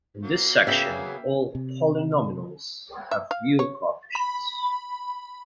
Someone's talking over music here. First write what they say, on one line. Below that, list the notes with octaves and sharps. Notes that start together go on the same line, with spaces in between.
In this section, all polynomials have real coefficients.
F#3 A#3
C#3 B3 G#4 E5 G5
C3
E5
F5
C#5
B5